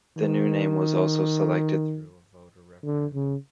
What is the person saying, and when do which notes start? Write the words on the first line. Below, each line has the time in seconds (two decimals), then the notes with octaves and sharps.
The new name was also selected through a voter referendum.
0.18 D#3
2.85 D3
3.14 C#3